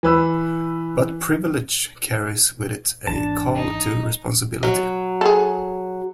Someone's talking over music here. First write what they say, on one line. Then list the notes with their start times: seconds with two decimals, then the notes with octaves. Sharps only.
But privilege carries with it a call to responsibility.
0.03 E3 B4 E6
3.07 G#1 E2 D4 A5
3.55 D#4
4.63 F#3
5.21 G#4 A4